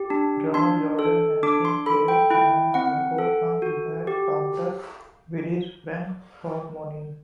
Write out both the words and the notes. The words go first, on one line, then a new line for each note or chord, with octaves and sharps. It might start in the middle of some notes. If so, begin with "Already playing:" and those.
Drummer Jordan Hastings played in a hardcore punk band Cunter with friends from Moneen.
Already playing: G4
D4
D4 C6
A4
D4 D6
C6
A4 B5
G5
E4 G5
C4 F#5
A4
F#4
G4